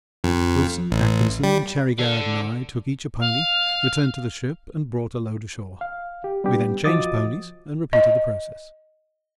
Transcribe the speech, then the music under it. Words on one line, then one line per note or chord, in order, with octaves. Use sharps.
Wilson, Atkinson, Cherry-Garrard, and I took each a pony, returned to the ship, and brought a load ashore; we then changed ponies and repeated the process.
F2
A1
G3
D3
F5
F5
G4
G3 B3 D4 G4
F3 F#4 D#5 D6 D#6 A6
D#5